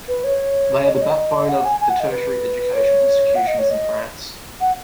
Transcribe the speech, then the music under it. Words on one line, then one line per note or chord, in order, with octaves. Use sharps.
They are the backbone of the tertiary education institutions in France.
B4
C#5
D#5
C#5
D#5
F#5
G#5
G#5
F#5
D#5
B4
C#5
F#5
D#5
C#5
D#5
F#5